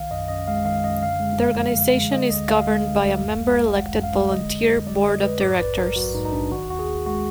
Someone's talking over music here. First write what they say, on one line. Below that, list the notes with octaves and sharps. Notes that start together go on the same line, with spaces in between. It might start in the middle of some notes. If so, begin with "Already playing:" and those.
The organization is governed by a member-elected, volunteer Board of Directors.
Already playing: B1 D#3 F5
F#2 D#5
F#2 D#5
G#3 F5
D#3 F5
F#2 D#5
D3 F5
G#3
F2
F3
D3
G#3
D3 D#5
D2 D#5
D2 F5
G#3
D3
D2
F#2
G#3
G#1
D#3 F#5
F#2
F5
G#3
D3 D#5
F2
F2
G#3 D5
D3 D#5
F2 B4
G#2 D5
A#1 B4
A#1 A#4
F#3 F#4
G#2 D#4
D#4
A#1 D4
D#3 F#4
D#2 F#4
G#4
D#2
G#3 F#4